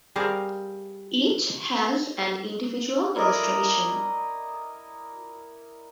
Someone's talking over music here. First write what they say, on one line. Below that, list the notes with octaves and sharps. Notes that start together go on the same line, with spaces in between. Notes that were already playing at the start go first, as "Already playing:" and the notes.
Each has an individual illustration.
G3 C4 G#4 A#4 F5 A5
E4 A#4 D5 D#5